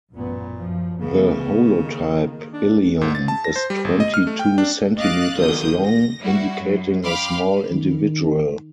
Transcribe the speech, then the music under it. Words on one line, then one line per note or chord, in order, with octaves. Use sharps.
The holotype ilium is twenty-two centimetres long, indicating a small individual.
A1 F#2 A#2 B3
F#2 F3
C#3 E3 A3 B3
D#3 A#3
D4
G#2
A6
A5
A#6
C5
G3
G1
D#5
F6
A3
G5
D4
D#5 F5 D6 F#6 A6
B1 D3 D#3 D#6 G6
A#6
G3 E4 F#4
F#2
F5 G5 B5 C6 D6 F6
D#3